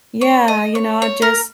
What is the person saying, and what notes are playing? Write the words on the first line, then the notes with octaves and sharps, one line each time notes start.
Yeah, you know, I just
C#5
D#5
C#5
C#5
A#4